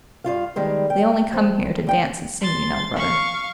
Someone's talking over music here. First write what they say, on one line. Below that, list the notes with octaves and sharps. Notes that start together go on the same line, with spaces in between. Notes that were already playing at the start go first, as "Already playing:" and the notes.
They only come here to dance and sing, you know, brother.
G2 F4 F5
D#3 G3 G#3 B3
G5
F3
D2 G5
C6 A6
F5 C#6